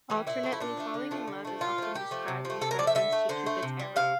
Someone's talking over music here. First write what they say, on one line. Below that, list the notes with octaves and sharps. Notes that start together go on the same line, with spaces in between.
Alternately, falling in love is often described with reference to Cupid's arrow.
E3 G3
A#2 E4
F3 A3
E4
A#2 D4
F3 A3
D3
F3 A3
D3
F3 A3
A#2 F4
F3 A3
A#2 G4
F3 A3
C3
F3
A3
C3 A4
A#4
F3 A3 D5 E5
D3 E5
A3
D3 C5
A3
C3
G3
C3 F5